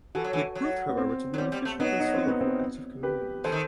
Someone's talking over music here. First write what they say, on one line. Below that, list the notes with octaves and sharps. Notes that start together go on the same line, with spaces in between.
It proved, however, to be inefficient and slow for active communities.
E3 F#4 A4
F#3
E3
F#3
B3
C4
F#3
G3 C4
G3
A3
F#3 B3 D#4
D#4
C4
B3
C4
G4 B4
E3 A4 C5
D#3